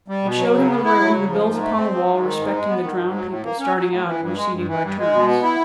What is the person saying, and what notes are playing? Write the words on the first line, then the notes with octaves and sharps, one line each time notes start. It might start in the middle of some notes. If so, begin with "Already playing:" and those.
It showed him the room, and the bills upon the wall respecting the drowned people starting out and receding by turns.
G3
B2
F#3
C#3
B3
E4
F#3
C#3
F3
G#2
A3
C4
F3
G#2
D#3
G#2
G#3
B3
D#3
G#2
F#3
A2
A#3
C#4
F#3
A2
E3
G2
G#3
G2
E3
G2
G#3
B2
B3
E4